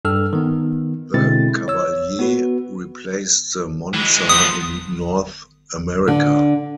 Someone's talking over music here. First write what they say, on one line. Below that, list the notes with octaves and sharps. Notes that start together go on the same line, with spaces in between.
The Cavalier replaced the Monza in North America.
G2 A4 E6 F6
D#3 B3
B2 D3 G#3 C4 E4 A6
C#5 E6
B3 F#4 B4
E3 G#3
F3 B3 D#6
D3